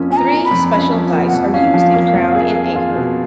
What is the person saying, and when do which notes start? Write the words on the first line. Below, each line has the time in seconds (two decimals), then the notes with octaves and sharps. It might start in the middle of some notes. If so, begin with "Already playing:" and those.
Three special dice are used in Crown and Anchor.
Already playing: F2 F3 A#3 C#4
0.10 F3 G#5
0.17 A#5
0.31 A#3
0.45 B5
0.51 F2
0.72 C#4 B5
0.92 F3
1.13 A#3
1.26 F#5
1.33 F2
1.53 C#4 F5
1.74 F3
1.94 A#3
2.14 F2
2.35 G#4
2.55 A#3
2.76 F4
2.96 B2